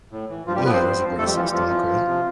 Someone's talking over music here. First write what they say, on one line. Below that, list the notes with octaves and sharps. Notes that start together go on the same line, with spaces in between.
Yeah, that's a great system, okay.
A2
E3
G2 F3 F4
G3 G4
F3 B3 B4
C4 C5
G2
F3
F2 A3 A4
G3 G4
E3 F3 F4
G3 G4
F2 F3 F4
E3
D2
C3 F3